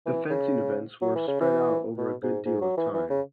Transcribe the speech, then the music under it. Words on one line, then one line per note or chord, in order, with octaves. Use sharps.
The fencing events were spread out over a good deal of time.
E3
C#3
F#3
E3
C#3
E3
B2
G#2
G#2
F#3
E3
E3
C#3